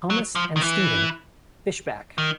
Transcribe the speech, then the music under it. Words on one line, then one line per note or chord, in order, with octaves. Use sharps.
Thomas and Stephen Fishbach.
F#3
F3
D#3
E3
D#3